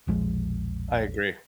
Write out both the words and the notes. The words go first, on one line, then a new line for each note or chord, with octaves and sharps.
I agree.
E1 A#1 F3 G#3